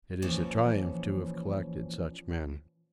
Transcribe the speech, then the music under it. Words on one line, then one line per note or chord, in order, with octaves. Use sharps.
It is a triumph to have collected such men.
A#2 E3 F3 C#4